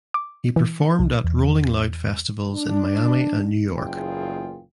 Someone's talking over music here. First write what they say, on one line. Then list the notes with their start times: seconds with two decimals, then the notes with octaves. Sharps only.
He performed at Rolling Loud Festivals in Miami and New York.
0.14 D6
0.56 E3
0.99 C2
1.24 E2
2.55 D4
3.77 F#1 E2 A#2 F4 G#4 G5